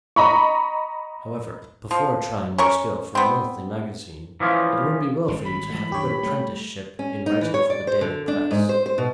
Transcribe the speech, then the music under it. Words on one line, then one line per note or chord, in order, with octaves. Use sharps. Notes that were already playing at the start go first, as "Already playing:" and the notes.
However, before trying your skill for a monthly magazine it would be well for you to have a good apprenticeship in writing for the daily press.
D#5 A#5 B5 C#6
F3
C#4 A#4 C#6
B3 C4
E3 F3 C#4 F4
G#1 C#3 G3
B5
E3 G#3 A3
F#2 D#3 D4 G4 C#5
G3 A3
C#4
D#4
E3
C#5
D5
C5
D3
D4
G#2
C5
C5
B2